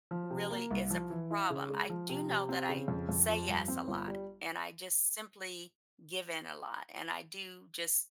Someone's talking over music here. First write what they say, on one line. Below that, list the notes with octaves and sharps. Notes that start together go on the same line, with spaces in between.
really is a problem. I do know that I say yes a lot, and I just simply give in a lot, and I do just,
F3
C3
A#3
C2
F3
E3
E4
C#3
G#3
F3
C3
C3
C4
C#3
F2
F2
F3
G2
C4
G1
G3